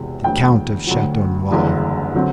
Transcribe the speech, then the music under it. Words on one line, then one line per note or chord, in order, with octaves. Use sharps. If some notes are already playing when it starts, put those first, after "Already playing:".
"The Count of Chateau Noir."
Already playing: E1 E2 C3
E1 D2 D3 F#3 G5
D2 D3 F#3
F#1 E2 D3 G3
D3 F#3 C4